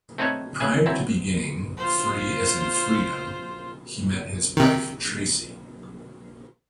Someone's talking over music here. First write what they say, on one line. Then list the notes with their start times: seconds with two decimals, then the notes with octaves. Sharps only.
Prior to beginning "Free as in Freedom" he met his wife Tracy.
0.18 A3 C4 D#4 B4 C#5 E5
0.60 C#3 G#4 B4 E5 G#5
0.86 E3 F#3 C4 E4
1.77 F4 C5
4.57 C3 D#3